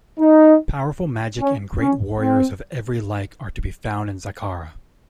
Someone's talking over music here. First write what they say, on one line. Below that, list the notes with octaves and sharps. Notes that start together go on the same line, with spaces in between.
Powerful magic and great warriors of every like are to be found in Zakhara.
D#4
C#4
C#4
C4